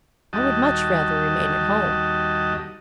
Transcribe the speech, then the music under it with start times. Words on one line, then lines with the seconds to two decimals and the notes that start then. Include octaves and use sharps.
I would much rather remain at home.'
0.33 D#2 G3 F#4 D#5 A5